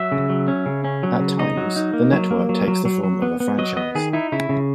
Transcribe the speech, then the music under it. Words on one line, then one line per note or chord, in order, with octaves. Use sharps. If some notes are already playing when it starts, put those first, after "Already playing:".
At times, the network takes the form of a franchise.
Already playing: F#3 E5
C#3
F#3
C#4
C#3
C#4
F#3
C#3
D#4 D#5
F#3
D#4
A#3
F#3
A#3
F#3
F#3
F#3
F#3
B3
B3
F#3 D#5
B3 D#5
D#3 G#4
D#4 E4
C#3 E4
C#3